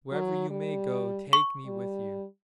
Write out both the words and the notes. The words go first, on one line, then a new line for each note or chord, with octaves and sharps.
Wherever you may go take me with you!'
F#3
G3
C#6
G3